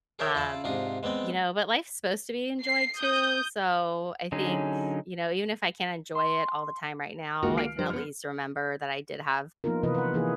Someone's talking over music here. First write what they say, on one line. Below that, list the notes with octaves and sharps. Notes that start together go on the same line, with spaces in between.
um you know, but life's supposed to be enjoyed, too. So, I think, you know, even if I can't enjoy it all the time right now, I can at least remember that I did have
G#4 A#4 C#5 D5 E5 G5
E4 F4 D5 A5
G#2 C3 D4 F4 D#6
G#3 B3 C4 D5 D#5
C7
D#6 G6
D3 F#3 C#4 D#4 G#4
C6
C#2 D#3 G#3 A#3 F4 F#4
F6 C7 D7
F3 G3 D4 C5
D3 B3 F6
F3 A#3 B3 D#4 F4 A#4
C3 E3 F4 B4 D#5
B4 F#5
E3 A#3 D#4 G#4